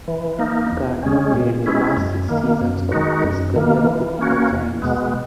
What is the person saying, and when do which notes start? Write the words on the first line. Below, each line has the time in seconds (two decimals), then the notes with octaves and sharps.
Gardner played the last six seasons of his career with the Giants.
0.08 E3
0.39 A#3 D#4
0.71 E2
1.03 C#3 G#3 C#4
1.34 A#2
1.66 G#3 C#4 E4
1.97 F#2
2.29 D#3 A#3
2.61 F#2
2.92 D#3 G#3 D#4 F#4
3.24 F#2
3.56 D#3 A#3
3.87 E3
4.19 A#3 C#4 F#4
4.51 E2
4.82 B2 G#3 B3